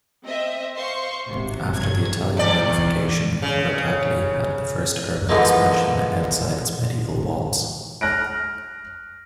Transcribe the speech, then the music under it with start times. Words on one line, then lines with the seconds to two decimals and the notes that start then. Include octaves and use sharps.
After the Italian unification Grottaglie had the first urban expansion outside its Medieval walls.
0.25 C4 D#5 E5
0.76 C5 F5 C6 C#6
1.28 G#1 C3
1.74 G2 F#3 G#6
2.37 E2 D5
3.42 C#3
5.29 G#2 D3 E3 F3 G#3 A#3
8.01 F6 F#6 A#6 D7